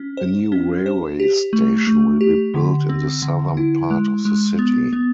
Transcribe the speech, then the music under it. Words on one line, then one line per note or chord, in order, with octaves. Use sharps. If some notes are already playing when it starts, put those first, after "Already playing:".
A new railway station will be built in the southern part of the city.
Already playing: C#4
C5
C#4
C5
G4
A3
A3
G4
D3
C4
D3
E4
G#3
G#3
B3
B3